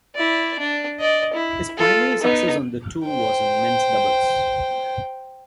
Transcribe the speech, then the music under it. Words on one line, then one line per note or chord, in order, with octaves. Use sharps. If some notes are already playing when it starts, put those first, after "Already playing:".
His primary success on the tour was in men's doubles.
E4 D5
D4
D5 D#5
E4
F4 A4
B3 D#4
C5 G5